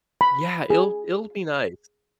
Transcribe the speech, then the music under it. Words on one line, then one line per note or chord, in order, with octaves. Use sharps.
Yeah, it'll it'll be nice.
B5
G#4